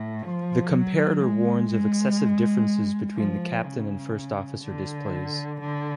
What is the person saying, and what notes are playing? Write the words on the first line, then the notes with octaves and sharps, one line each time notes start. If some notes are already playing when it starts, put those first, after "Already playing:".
The comparator warns of excessive differences between the Captain and First Officer displays.
Already playing: A2
F3
F#3
G#3
G#3
F3
C#3
D3
D3